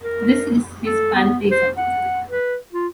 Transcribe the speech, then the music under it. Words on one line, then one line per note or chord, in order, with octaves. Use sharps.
This is his Pantheism.
A#4
A4
B3
C5
F#5
B4
F4